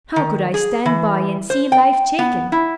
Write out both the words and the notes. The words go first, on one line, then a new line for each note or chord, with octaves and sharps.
How could I stand by and see life taken?
D#3
G#4
E3
C5
G5
B3
E4